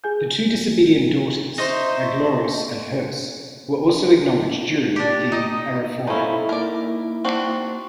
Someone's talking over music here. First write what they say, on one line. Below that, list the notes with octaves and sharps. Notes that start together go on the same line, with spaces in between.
The two disobedient daughters, Aglauros and Herse, were also acknowledged during the Arrephoria.
G#4 G#5 G6
D#4 C5 D#5 E5 C#6
D4 G4
D#4 D#5
F3 C#4 D#4 E4 A4
A#3 A#4 D5
C4 D4 F#4